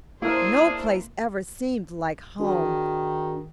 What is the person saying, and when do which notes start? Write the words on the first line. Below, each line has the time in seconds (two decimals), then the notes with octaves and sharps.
No place ever seemed like home.
0.22 A#3 D4 E4 G#4 A#4 C5
2.40 D#3 D4 F#4 G#4